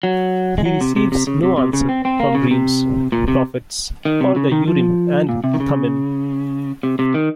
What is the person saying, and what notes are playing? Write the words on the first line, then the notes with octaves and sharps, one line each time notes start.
He receives no answer from dreams, prophets, or the Urim and Thummim.
F#3
G#3
F#3
C3
C3
C3
C#3
C3
C3
C#3
C4
C4
A#3
C#3
C3
A#2
C3
D#3
C3
C#3
D#3
F3
A#2
C3
D#3
C#3
C3
C3
D#3